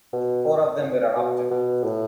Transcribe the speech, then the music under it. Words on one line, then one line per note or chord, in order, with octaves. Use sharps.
Four of them were adopted.
B2
B2
B2
A2